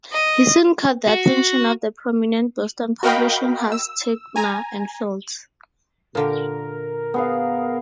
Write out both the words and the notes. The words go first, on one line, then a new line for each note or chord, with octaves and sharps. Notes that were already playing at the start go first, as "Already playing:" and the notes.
He soon caught the attention of the prominent Boston publishing house Ticknor and Fields.
D#5
F#4
F#4 A#4 D#5 F5 G5 B5
E6
G#5 A#5
A#2 D3 G4 A#4
B3 G#4 F5